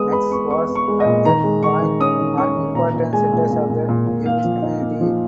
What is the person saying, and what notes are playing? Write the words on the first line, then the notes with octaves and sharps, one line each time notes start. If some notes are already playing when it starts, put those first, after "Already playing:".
Metz was at that point an important center of the Jewish community.
Already playing: G#3 B3 D#6
B3 B5
B3 C#6
B3 C#6
B3
C#6
G#3
D#5
A#2
D#3 A#5
G#3
D#3 C#6
D#3
C#4 D#6
D#3
C#4 C#6
D#3
A#2 A#5
A#2
G#3 G#5
A#2
A#2
A#2
A#2
A#2
A#3 F5
F3
D#4
A#3
F3